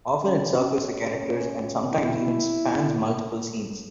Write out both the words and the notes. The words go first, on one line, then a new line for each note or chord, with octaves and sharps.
Often it circles the characters, and sometimes even spans multiple scenes.
C#4
C#4
E4